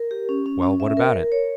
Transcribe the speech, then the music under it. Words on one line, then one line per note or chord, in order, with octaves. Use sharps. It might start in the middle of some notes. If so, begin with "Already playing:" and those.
"Well--what about it?"
Already playing: A#4
G4
C#4
C#4
C#4
E5
A#4
A#4
C#5